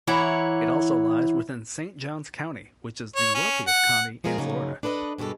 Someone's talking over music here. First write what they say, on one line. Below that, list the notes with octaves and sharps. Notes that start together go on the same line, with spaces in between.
It also lies within Saint Johns County, which is the wealthiest county in Florida.
E3 E4 C#5 F#5 A#5
C#5
C#4
F#5
F3 G#3 F4 G#4 A#4
C#3 F3 F#3 A#3 D#4
D4 A4 B4 D5 D#5
G2 B2 G3 G#3 A4